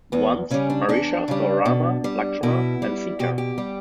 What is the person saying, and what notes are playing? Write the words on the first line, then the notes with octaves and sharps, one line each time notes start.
Once, Maricha saw Rama, Lakshmana and Sita.
E2 B3
C#3 G3 C#4
D4
E2 D4
C#3 G3
B2
G3
B2 E4
G3
B2 G4
G4
G3